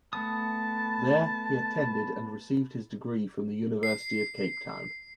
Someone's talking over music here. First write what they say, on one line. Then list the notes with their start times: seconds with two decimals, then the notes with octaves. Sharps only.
There he attended and received his degree from the University of Cape Town.
0.13 A3 B3 A5 D#6
3.83 C7